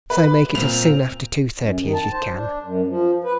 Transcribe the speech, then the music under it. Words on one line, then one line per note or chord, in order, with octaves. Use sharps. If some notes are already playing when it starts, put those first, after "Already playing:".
"So make it as soon after two-thirty as you can."
B4
A#2 C4 F7
F#2
D#3
A5
C5
D4
F#2
F3
B4